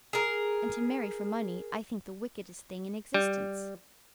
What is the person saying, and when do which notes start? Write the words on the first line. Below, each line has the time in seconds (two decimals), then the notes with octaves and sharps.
And to marry for money I think the wickedest thing in existence.
0.13 G#4 A#4
3.14 G3